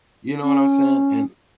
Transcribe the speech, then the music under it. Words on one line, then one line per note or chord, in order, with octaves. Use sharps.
You know what I'm saying? And
C#4